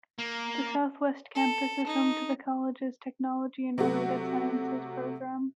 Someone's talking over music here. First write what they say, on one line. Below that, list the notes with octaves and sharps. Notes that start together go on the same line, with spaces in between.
The Southwest Campus is home to the college's Technology and Related Sciences program.
A#3
A4
D#4
C3 F#3 A3 F#4